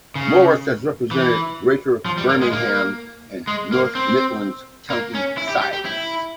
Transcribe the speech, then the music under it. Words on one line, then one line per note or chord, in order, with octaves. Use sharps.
Morris has represented Greater Birmingham and North Midlands county sides.
C#3
E3
F3
G3
A#3
G#3
A#3
G#3
A#3
C4
A#3
C#4
E4
G4
G4
G4
E4